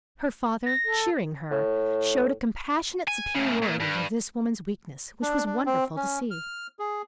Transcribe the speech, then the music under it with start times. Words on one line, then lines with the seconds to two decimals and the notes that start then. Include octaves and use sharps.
Her father, cheering her, showed a compassionate superiority to this woman's weakness, which was wonderful to see.
0.66 A#6
0.84 A4
1.51 A2
3.07 G#5
3.35 A2 C#3
3.63 A#2
3.80 G2
5.22 D4
5.46 D4
5.66 C4
5.97 C#4
6.31 F6
6.79 G#4